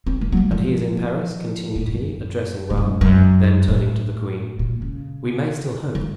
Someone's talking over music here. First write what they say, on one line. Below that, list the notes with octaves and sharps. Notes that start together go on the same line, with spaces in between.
And he is in Paris?" continued he, addressing Raoul; then turning to the queen: "We may still hope.
C4
A#3
F#3
A3
F3
A2
F#2
A2
F#2
F#2
A2
A#2
C#3
D#3